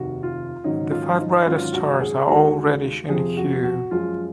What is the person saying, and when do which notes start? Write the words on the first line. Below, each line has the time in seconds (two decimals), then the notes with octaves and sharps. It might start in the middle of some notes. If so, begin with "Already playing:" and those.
The five brightest stars are all reddish in hue.
Already playing: F1 D#2 D#3 F#4
0.23 F4
0.64 G#1 G#2 D#3 F#3 C#4 D#4
0.91 F4
1.19 D#4
1.46 G#1 G#2 F#3 C#4 F4
1.73 F#4
2.00 G#4
2.27 D#2 D#3 G#3 F#4
3.09 F2 C3 F3 C4 G#4
3.37 F#4
3.64 F#4
3.91 F#2 F3 G#3 F4